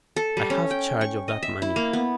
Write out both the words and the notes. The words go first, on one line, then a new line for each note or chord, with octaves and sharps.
I have charge of that money.
A4
G3
C#4
G5
C#6
D#5
E5
E4
A#3
B3